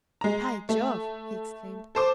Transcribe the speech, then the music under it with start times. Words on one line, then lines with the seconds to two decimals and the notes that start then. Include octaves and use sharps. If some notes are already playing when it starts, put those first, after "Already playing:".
"By Jove!" he exclaimed.
0.21 G#3 A#5
0.69 A3
1.95 A4 C5 D6